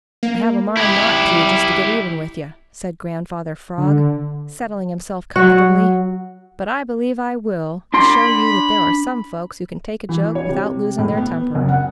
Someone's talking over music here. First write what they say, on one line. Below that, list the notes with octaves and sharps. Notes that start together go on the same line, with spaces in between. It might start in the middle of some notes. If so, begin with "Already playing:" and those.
"I have a mind not to, just to get even with you," said Grandfather Frog, settling himself comfortably, "but I believe I will, to show you that there are some folks who can take a joke without losing their temper."
A#3
E4 G4
D3
F#3 F#4
D4 B5 C6
E3
C#5
C3
A2
B3
F#1
F#5